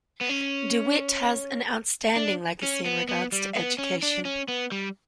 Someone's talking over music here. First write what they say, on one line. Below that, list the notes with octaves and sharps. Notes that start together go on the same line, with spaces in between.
DeWitt has an outstanding legacy in regards to education.
B3
C#4
D4
C#4
B3
B3
G3
B3
C#4
D4
C#4
B3
G3